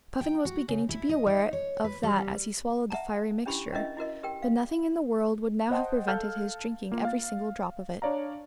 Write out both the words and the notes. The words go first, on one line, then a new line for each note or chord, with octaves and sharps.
Puffin was beginning to be aware of that as he swallowed the fiery mixture, but nothing in the world would now have prevented his drinking every single drop of it.
G5
F#4
C#3
E4
D#5
D#4
C#5
B4
G3
E5 F#5 A5 A#5
C#4 D4 E4 G4 B5 C#6
C#4 D4 E4 A#4 D#5 E5
E4 F#4 A#4 D#5
G4 A#4 G5
F5
C5 D#5 F#5 G5 A5 C6
A4 F5 A5 F6 G6 G#6
A#3 F4
F5 A6
D4 C#5 D5 F5 A#5